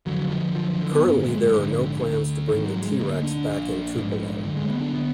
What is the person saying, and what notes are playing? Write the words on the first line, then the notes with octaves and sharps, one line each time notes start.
Currently there are no plans to bring the T-Rex back in Tupelo.
F#1 F2 D3 F#3
F3
F#1 F#2 D3 F3
D3
B3
G#1 F#2 D3 A#3
G#3
A#1 G#2 D3
D2 D3
G#1 G#2 D#3
F#3
G#3
D2 D3 A#3
D4
A#1 A#2
A#1 G#2
F#1 F#2 D3
G#3
B3
D4
D3 B3